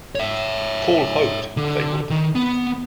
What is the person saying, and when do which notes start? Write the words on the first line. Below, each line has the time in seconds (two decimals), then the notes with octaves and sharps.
Paul hoped they would.
0.15 C#5 E5
1.57 D3
2.10 D#3
2.35 B3